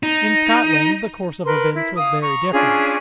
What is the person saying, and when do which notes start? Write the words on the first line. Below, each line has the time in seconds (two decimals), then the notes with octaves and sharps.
In Scotland the course of events was very different.
0.03 D#4
1.45 A#4 B4 C6
1.74 E4
1.97 F5 D#6
2.22 A#5 C#6
2.53 C#4 D4 F4 G#4